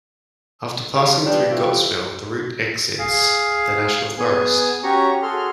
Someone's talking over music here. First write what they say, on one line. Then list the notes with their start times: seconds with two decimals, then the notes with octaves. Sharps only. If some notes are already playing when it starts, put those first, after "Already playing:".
After passing through Gottsville, the route exits the national forest.
0.94 C3 A3 C5 F5
1.25 F3 G3 B3 D4
1.50 E3 G3 A3 C4 F4 G4
2.99 G#4 F5
4.18 B3 G#4 G#5
4.84 C#4 F#4 G4 C#5 A#5 C#6
5.22 F#4 G#4 A4 C6 F6